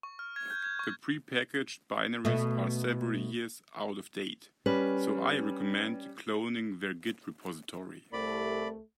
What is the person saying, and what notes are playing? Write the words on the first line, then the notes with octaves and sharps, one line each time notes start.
The prepackaged binaries are several years out of date, so I recommend cloning their git repository.
C#6
F6
G#6
G6
G#6
C#6
B2 A3
G3 C#4 B4
C2 A3 D5 B5